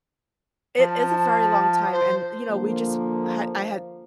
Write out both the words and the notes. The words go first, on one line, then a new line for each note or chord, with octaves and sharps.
It is a very long time, and, you know, we just had I had
F3 A5
C5
D3 F3 A#3